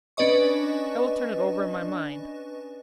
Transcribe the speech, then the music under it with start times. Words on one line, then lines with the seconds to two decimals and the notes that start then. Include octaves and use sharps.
I will turn it over in my mind.
0.17 C#4 D4 B4 D5 D#5 C#6